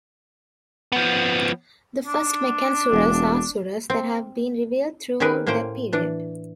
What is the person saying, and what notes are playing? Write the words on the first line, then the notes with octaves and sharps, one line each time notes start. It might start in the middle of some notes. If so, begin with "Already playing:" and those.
The First Meccan surahs are surahs that have been revealed throughout that period.
F3 B3
D4
E1
C4
D#3 C#4 G4 G#4 A#4 B4
A2 A#3 C#4 C5 G5
E3 D4